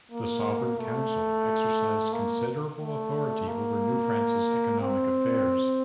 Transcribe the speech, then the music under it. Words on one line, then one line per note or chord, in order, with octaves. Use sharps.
The Sovereign Council exercised considerable authority over New France's economic affairs.
A#3
A3
A#3
A3
A#3
C4